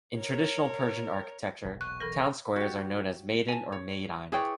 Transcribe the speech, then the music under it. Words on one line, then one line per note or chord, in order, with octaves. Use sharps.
In traditional Persian architecture, town squares are known as maydan or meydan.
A#4 C#5
E1 B1 A#2
C#6 F#6
E3 A4 A#4 A#6
F#4 G4
G#5 A5
C#5
E4 G#4 B4 C#5 D5 G5